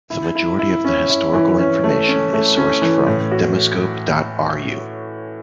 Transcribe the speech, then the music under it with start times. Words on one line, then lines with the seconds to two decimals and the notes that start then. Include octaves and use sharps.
The majority of the historical information is sourced from "Demoscope dot ru".
0.10 E4
0.35 E4
0.59 E4
0.84 C#4
1.09 E4
1.34 E3
1.59 C#4
1.84 A3
2.08 C#4
2.33 A3
2.57 C#4
2.82 E3
3.07 A2
3.31 F#4